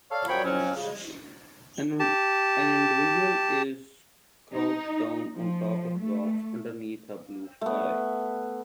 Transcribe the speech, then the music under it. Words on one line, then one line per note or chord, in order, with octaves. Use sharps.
An individual is crouched down on top of rocks underneath a blue sky.
A4 C#5 D5 F5
F#2 F3 F#4 C#5 G5 B5
F2 F#3 C#4
C#3
G4 A5
D#4
F3
A3
A3 B3